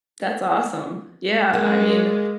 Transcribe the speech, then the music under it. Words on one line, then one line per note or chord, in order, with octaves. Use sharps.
That's awesome. Yeah, I mean,
G#3 A#3 G#4